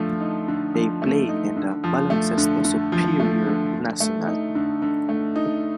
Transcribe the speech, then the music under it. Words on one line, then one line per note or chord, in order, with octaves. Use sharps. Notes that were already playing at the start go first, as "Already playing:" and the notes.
They play in the Baloncesto Superior Nacional.
Already playing: D3 F3 A3
D#4
D3
F3
A3
D#4
D3
F3
A3
D3
D3
F3
A3
D3
D3
A3
D#4
D3
D3
A3
D#4